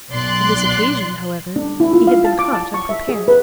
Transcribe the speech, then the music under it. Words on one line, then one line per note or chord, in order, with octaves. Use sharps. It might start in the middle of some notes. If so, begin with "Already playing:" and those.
On this occasion, however, he had been caught unprepared.
B1 D5 C6 F#6
D4
E4
F4
F5
A5
D6
A5
C#6
E5
G#4
B4